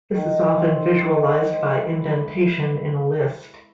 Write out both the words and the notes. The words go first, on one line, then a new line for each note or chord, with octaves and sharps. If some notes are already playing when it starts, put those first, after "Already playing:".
This is often visualized by indentation in a list.
D#3
C4
D#3
G#3
E4
B3